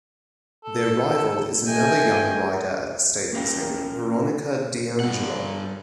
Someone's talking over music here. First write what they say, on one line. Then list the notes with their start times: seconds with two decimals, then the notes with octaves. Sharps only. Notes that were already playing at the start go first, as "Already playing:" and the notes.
Their rival is another young rider at the stables named Veronica DiAngelo.
0.64 A4
1.67 A3 D#5 G5 G#5
3.33 A#3 C#4 A#4 F5 G5
5.00 G2 F#5